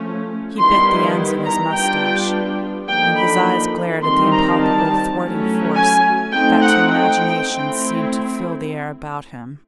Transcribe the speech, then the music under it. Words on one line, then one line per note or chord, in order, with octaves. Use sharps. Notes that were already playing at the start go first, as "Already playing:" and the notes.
He bit the ends of his moustache, and his eyes glared at the impalpable thwarting force that to imagination seemed to fill the air about him.
Already playing: F3 A3 C#4
D#3 G3 B3 E4 C6
A#5
G3 B3 D4 F4 G5
D3 F3 A#3 D#4 G5
B5
D#3 G3 C4 D#4 C6
A#5
A5
F#3 A3 C#4 E4
G#5
A3 C4 D#4 G5
F#5
G5
A3 C4 E4